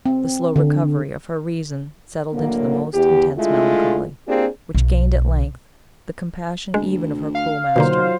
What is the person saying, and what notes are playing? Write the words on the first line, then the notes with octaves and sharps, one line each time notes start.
The slow recovery of her reason settled into the most intense melancholy, which gained at length the compassion even of her cruel master.
C4
D3
A2 D3 F#3 A#3
E2 G4
D3 G#3 A3 E4 F4
A#3 C4 D4 F4 G4 G#4
B1
D2 G#3
F5
B2 D3 D#3 F#3 A#3 F4 C5